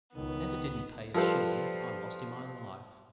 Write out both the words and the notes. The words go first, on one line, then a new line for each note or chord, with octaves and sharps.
Never didn't pay a shilling I lost in my life!
C#2 D#3 B3
F3 G3 A4 B4 C5